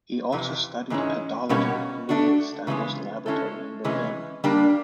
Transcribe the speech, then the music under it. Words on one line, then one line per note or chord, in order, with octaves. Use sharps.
He also studied pedology in the newly established laboratory in Berlin.
F2 C3 E3
G#2 E3 G#3 C#4
B2 G3 A#3 C#4 F#4
A3 D4 F#4
C#3 E3 G#3 B3
G#3 C#4 E4 A4
C3 E3 G#3 C#4
G3 A#3 D4 G4